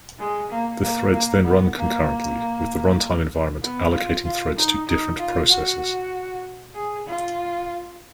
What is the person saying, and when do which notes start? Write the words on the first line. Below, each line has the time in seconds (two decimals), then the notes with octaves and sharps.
The threads then run concurrently, with the runtime environment allocating threads to different processors.
0.19 G#3
0.51 A#3
0.82 A#3
1.13 A#3
1.44 B3
1.76 A#3
3.63 B3
3.94 F4
4.25 F4
4.56 D#4
4.88 D#4
5.19 F4
5.49 F#4
6.75 G#4
7.06 F4